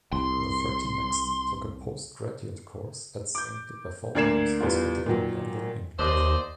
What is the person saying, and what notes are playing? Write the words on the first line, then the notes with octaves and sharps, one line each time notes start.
Lafferty next took a post-graduate course at Saint Bartholomew's Hospital in London, England.
C2 C6
D6 G6
D2 A#3 D5 G#6 C7 E7
E2 G3 F4
A#2 D#3 F#3
D#2 C5 D5 D#5